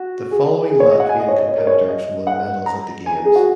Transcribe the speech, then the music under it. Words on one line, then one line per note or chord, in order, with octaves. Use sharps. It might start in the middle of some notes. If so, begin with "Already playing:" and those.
The following Latvian competitors won medals at the games.
Already playing: F#4
G#4
G#4
C#5
D#5
F#5
G#5
D#5
C#5
D#5
C#5
A#4
C#5
D#5
F#5
A#5
G#5
G#4
F#4